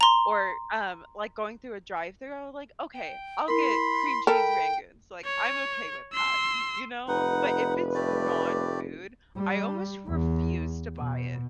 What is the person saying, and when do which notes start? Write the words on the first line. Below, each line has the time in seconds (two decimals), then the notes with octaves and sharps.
or, um, like, going through a drive-through I'll be like, "Okay, I'll get cream cheese rangoons," like, "I'm okay with that," you know? But, if it's non-food, I almost refuse to buy it.
0.01 A#5 C6
2.94 G5
3.48 E4 A#4 B5 C6
4.27 A4 A#4 G5 A5 B5
5.25 C#5
6.13 C6 E6
7.08 F1 D#4 B4 F#5
7.95 A3 G4 D5
9.37 G3
10.07 E2
10.96 B2